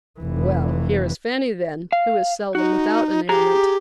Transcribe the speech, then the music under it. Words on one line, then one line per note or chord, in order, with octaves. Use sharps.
'Well! here is Fanny then, who is seldom without an ailment.
F1 E3
F5
D#4 F#4
G4 G#4 A#5